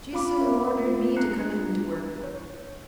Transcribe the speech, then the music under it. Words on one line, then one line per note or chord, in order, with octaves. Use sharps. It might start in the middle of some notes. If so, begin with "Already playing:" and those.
She soon ordered me to come in to her.
F4 F5 B5 D6
C#4 A#4 E5
F4
B3 D4 A#5 F#6 C7 C#7
C#5